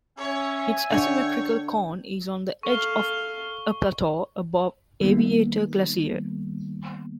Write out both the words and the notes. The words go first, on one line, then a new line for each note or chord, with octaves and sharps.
Its asymmetrical cone is on the edge of a plateau above Aviator Glacier.
C#4 C#5 E5 G#5
D3 C#5 G5
A4 F5 C#6 G7
D#3 G3 A#3 B3